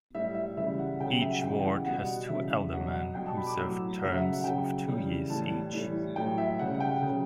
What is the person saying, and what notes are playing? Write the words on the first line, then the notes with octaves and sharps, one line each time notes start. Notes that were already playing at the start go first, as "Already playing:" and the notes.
Each Ward has two alderman who serve terms of two years each.
A2 G3 E5
E5
C#3 E3 G3 E5
F#5
C#3 F#3 G5
F#5
E5
F#5
C#3 E3 G3 G5
F#5
B2 G3 F#5
C#3 E3 G3 E5
B2 F#3 F#5
B2 G3 G5
A5
B5
D6
A2 F#3 E6
C#3 F#3 F#5
E5
F#5
F#5
C#3 F#3 G5
C#3 E3 G3
A2 E3 G3 A5
A2 E3 G3
A2 F#3 G5
E5
C#3 G3 F#5
F#5
G5
C#3 F#3